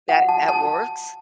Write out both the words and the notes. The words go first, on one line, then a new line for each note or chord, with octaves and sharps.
that that works.
F#5
A5
A5